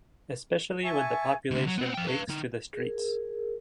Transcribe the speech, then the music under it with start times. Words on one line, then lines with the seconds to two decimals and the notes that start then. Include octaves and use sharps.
Especially when the population “takes to the streets”.
0.84 E5 G#5 A5 C#6
1.51 C#2 D3
1.67 F#3
1.78 B3 C4
1.94 F3 G5
2.07 B4 F5
2.28 D3 D#4
2.73 G#4 A#4